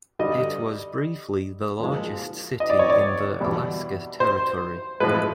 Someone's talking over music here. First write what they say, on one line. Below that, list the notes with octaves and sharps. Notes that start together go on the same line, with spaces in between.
It was briefly the largest city in the Alaska Territory.
G2 D3 G3 D#5
A#2 F3 G#3
D#5
D5
C#5
D5
E2 B2 G3
C5
A2 F3 G#3 B4